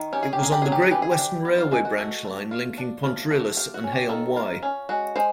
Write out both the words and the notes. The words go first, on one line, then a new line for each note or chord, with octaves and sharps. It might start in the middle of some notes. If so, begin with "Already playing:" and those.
It was on the Great Western Railway branch line linking Pontrilas and Hay-on-Wye.
Already playing: D#3
C#4 G4
G#4
G4
A#3 G#4
G4
F#3 G#4
G4
G#4
E3 G4
G#4
G4
D4
B3
F4
G#3 F#4
F#4
A3 F#4
A3
F4
D4
A3 F4
A3 F#4
F4 G4
F#4
C#4
G4
D#3 A4
F4 A#4
C#4
G#3 F#4
G#3 C5